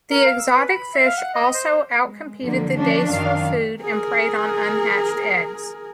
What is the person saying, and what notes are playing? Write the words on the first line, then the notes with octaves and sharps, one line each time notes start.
The exotic fish also out-competed the dace for food and preyed on unhatched eggs.
A#4
F5
E6
B4
B5
E5
F5
F#5
D#5
C5
G#3
D3 F3 F#3 G#3 A#3
F3 C#4 D4
F#2 D#3 D4 F5
G#4 A#4